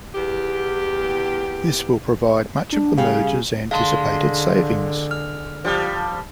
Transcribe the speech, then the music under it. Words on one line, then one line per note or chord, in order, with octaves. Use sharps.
This will provide much of the merger's anticipated savings.
E2 G4
D4
C#3 G3 F5
D3 G#3 F5 A5 C6
F6
F3 G3